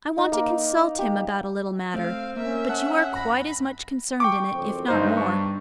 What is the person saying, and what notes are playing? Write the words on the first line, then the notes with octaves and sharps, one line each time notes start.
I want to consult him about a little matter; but you are quite as much concerned in it, if not more.
D#4
A#3
G4
A3 C4 F5
A#3 C#4 A#4 E5
F#5 A5
F2 B5 A#6
G5 C#6 D6
F#1 F2 C4
G1 G2 D#4 C5
C#6